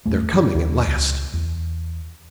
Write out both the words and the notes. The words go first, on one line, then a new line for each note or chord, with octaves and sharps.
'They're coming at last.'
E2 G2 A3
G2
D#2
C#2
E2